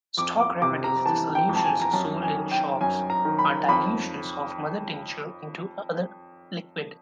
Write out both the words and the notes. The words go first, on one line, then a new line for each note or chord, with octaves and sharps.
Stock remedies-the solutions sold in shops-are dilutions of mother tincture into other liquid.
F2 D6
D6
C3 D6
A#5
E3 A5
G5
F2
A5
G#5
A#5
F#2 A5
G#5
D#3
G5
F#2 G#5
A#5
D#3
B5
F2 B5